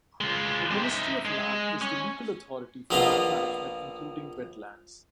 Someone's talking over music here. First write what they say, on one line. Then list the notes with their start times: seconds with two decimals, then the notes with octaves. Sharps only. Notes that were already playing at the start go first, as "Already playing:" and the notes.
The Ministry of Land is the legal authority for land management including wetlands.
0.21 G#3 F4
0.71 G#3 C4
0.84 D#4 E5
1.25 G#3
1.81 C#4
2.91 A#1 A#3 B3 F4 D#5